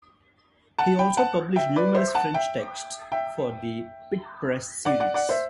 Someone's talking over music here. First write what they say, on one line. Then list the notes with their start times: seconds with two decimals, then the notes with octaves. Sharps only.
He also published numerous French texts for the Pitt Press series.
0.78 F#5 A5
0.99 G5 B5
1.17 F#5 A5
1.56 E5 G5
1.76 B4 D5
1.95 C5 E5
2.15 F#5 A5
2.34 E5 G5
3.12 E5 G5
4.85 D5 F#5
5.00 D5 F#5
5.14 D5 F#5
5.29 C5 E5